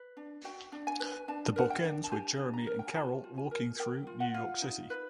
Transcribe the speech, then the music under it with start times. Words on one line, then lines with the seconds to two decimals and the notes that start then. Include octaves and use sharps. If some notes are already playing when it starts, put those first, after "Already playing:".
The book ends with Jeremy and Carol walking through New York City.
Already playing: B4
0.17 D4
0.44 F#4 G5
0.72 D4
0.87 G#5
1.00 B4
1.28 D4 A5
1.56 A#4 F#5
1.70 G5
1.84 D4
2.04 A5
2.12 G4 G#5
2.39 D4
2.54 A#5
2.67 A#4
2.79 G5
2.87 G#5
2.95 F4 A5
3.24 F4
3.38 G#5
3.51 A#4
3.79 A#4 G5
4.07 F4
4.20 F#5
4.34 F4
4.62 D#4
4.90 B4